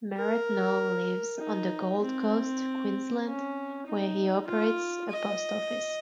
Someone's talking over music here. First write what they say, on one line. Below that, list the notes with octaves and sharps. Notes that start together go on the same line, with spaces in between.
Merrett now lives on the Gold Coast, Queensland, where he operates a post office.
A#4
D#4
C4
C#4
D#4
F4
D#5